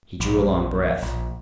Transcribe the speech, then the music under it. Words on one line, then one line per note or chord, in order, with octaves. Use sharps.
He drew a long breath.
A#1
A#1